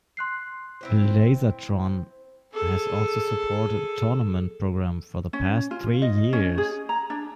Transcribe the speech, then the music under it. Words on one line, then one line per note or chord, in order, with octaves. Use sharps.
LaserTron has also supported a tournament program for the past three years.
C6 F#6 C7
C4 E4 C5
G#4 A4
C#4
F4
D#5
C#4
G#4
A#5
D4